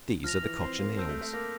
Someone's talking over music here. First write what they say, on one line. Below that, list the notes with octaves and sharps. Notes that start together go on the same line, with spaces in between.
These are the Cochineals.
F3 F6 A#6 F7
E3
C4 C6 F6 C7
A#3
C4 A5 E6 G6 D7
A3
A3
A#3 D6 F6 A#6 F7